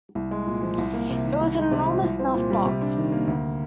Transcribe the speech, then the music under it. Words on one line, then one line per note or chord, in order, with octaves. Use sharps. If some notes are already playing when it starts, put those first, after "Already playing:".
It was an enormous snuff-box.
C2
G#3
A#2
F3
C2
A#3
C3
D#3
C2
G#3
C3
F3
C2
C4
A#2
G3
C3
D4
D#3
A#3
D2